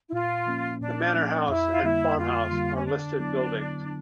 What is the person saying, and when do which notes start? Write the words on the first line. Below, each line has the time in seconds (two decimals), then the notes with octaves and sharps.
The Manor House and farm house are listed buildings.
0.09 E4
0.12 A#2 F4
0.46 F3 A#3 C#4
0.81 A#2 D4
1.15 F3 A#3 C#4
1.49 F2 E4
1.71 F4
1.83 D3 G3 A#3 E4
2.17 F2 F4
2.52 D3 G3 A#3
2.76 C#4
2.86 D3 D4
3.19 F#3 B3 E4
3.53 D3